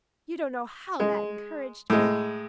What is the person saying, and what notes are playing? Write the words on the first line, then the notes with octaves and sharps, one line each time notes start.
You don't know how that encouraged me.
G#3
A2 G#3